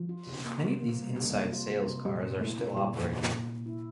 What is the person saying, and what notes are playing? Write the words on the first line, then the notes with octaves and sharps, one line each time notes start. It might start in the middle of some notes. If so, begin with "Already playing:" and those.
Many of these "inside sales cars" are still operating.
Already playing: F3
F4
C3
A#3
C3
A#3
G3
C3
A#3
F4
F4
C3
A#2 G3
A#2
A3 E4
A#2
A#2 G3
A#2
A#2
A#2
A#2
E4